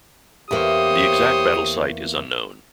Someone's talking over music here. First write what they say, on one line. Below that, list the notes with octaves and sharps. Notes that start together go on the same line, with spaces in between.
The exact battle site is unknown.
E2 A#3 G4 C5 C#5 D#6